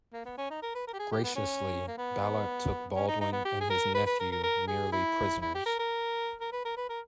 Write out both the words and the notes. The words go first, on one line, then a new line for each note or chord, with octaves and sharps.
Graciously, Balac took Baldwin and his nephew merely prisoners.
A#3
B3
C#4
D#4
A#4
B4
A#4
G4
G#4
G4
B3
C#4
A#3
B3
C#4
D#4
D#4
B3
G4
G#4
A#4
B4
B4
A#4
A#4
A#4
G#4
E4
E4
G4
A#4
A#4
A#4
B4
A#4
B4
A#4